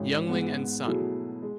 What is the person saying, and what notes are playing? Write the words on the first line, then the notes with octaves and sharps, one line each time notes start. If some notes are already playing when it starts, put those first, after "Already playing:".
Yuengling and Son.
Already playing: G#1 G#2 G#3 C#4 G#4
G#2 G#3 B3
B2 F#3 A3 E4 G#4
G#3